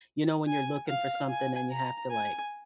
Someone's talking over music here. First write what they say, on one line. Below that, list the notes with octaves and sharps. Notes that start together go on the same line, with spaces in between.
you know, when you're looking for something and you have to like
G#5
F5
G#5
A#5
G#5